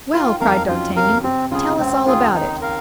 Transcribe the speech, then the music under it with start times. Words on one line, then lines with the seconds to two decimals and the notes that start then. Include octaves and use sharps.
"Well!" cried d'Artagnan, "tell us all about it."
0.14 D#2 D#3 F4
0.41 F2 F3 A#4 F5
0.68 F#2 F#3 F4
0.96 C3 A#4 F5
1.24 C3 C4
1.51 C#2 C#3 F4 G#4
1.78 C#2 C#3 C4
2.06 D#2 D#3 F4 G#4
2.34 D#4
2.62 A#4 F5